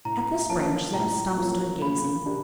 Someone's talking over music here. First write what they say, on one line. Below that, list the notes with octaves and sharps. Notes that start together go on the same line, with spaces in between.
At this branch Zeb Stump stood gazing.
A2 A#5
F3 A#3 C#4 A5
A2 A#5
F3 A#3 C#4
A#3 B5
D4 G4 A#4